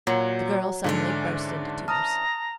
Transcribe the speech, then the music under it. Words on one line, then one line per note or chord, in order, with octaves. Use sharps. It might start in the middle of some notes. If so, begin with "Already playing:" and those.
The girl suddenly burst into tears.
A#2 F#3 C#5 F#5
G#2 D3 E3 C#4 D4
A5 A#5 D#6 F6